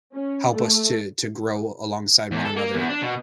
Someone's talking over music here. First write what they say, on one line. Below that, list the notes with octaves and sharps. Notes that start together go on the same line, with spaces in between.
help us to to grow alongside one another,
C#4
A3
E2
A4
A#3
E2
D4
B2